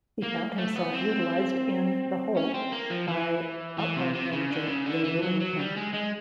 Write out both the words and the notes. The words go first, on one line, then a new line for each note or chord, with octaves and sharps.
He found himself utilised in "the hole" by outgoing manager Ray Lewington.
A#3
A3
B3
C4
C#4
C4
A#3
F3
E3
E3
C3
C3
C#3
D3
C#3
D3
E3
F#3
F#3
G3
G#3
G#3